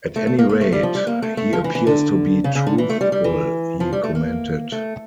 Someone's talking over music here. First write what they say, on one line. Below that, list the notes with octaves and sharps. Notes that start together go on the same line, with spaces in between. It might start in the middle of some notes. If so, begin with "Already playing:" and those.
"At any rate he appears to be truthful," he commented.
A3
A3
A#3
A#3
A3
G3
F3
G3
A#3
A3
A3
F3
E3
E3
D3
C#3
C#3
D3
E3
A3
G3
G3
E3
F3
G3
A3
A#3
A3